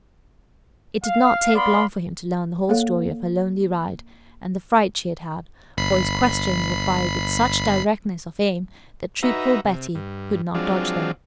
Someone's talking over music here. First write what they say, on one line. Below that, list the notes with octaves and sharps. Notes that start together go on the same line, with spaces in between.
It did not take long for him to learn the whole story of her lonely ride, and the fright she had had, for his questions were fired with such directness of aim that truthful Betty could not dodge them.
F5
B3 D5 F5 B5 C6
A#3 A4 C#5 F5
G1 B5 C7
D#4 F#4 B4 E5 A#5
C3
G2
F3 F#3 G#3 C4 D4 F4